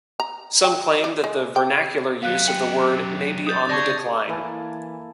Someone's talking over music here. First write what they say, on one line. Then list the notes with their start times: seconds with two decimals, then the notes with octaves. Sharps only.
Some claim that the vernacular use of the word may be on the decline.
0.20 A#5
0.64 G5
1.04 D5
1.24 G#3
1.56 G5
2.23 F#2 B3 F5 F#6
2.47 G5 C#7 F#7
3.47 D#6 G6 A6
3.69 D3 D5 A5 C#6 G#6 A#6
4.29 E3 A#3 E4 A4 B4 G#5 A5